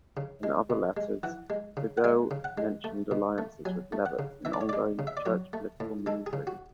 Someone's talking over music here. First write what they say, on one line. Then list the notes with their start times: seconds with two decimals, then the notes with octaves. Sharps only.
In other letters, Prideaux mentioned alliances with Levett in ongoing church political maneuverings.
0.17 C#3
0.43 G#3
0.70 B2
0.97 G#3
1.23 E3 F#5
1.50 G#3
1.77 C#3
1.98 F#5
2.04 G#3 G#5
2.31 C#3
2.44 F#5
2.58 G#3
2.84 A3
3.11 B2
3.38 A3
3.65 F#3 G#5
3.92 A3
4.06 F#5
4.19 C#3
4.45 E3 E5
4.53 D5
4.61 C#5
4.69 G#3 D5
4.99 C#3
5.07 E5
5.17 D5
5.26 F#3 C#5
5.53 A3
5.80 A2
6.06 G#3 A4
6.26 G#4
6.33 C#3
6.47 F#4